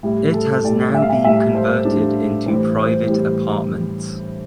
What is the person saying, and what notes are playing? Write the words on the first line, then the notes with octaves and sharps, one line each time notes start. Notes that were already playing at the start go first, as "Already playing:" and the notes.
It has now been converted into private apartments.
A2 G3 E4
A4
A2 G3 D5
E5
F5
E5
A2 G3 E5
C5
A2 G3 D4
A2 E3 G3 C5
C5
A2 E3 G3